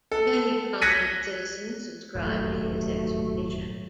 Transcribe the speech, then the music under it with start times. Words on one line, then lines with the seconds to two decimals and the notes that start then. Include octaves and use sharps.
Many prominent citizens subscribed to his expedition.
0.12 A4
0.82 F#6 G#6 A#6 B6 C#7 D#7
2.15 D#1 G#1 E2 F#3 A3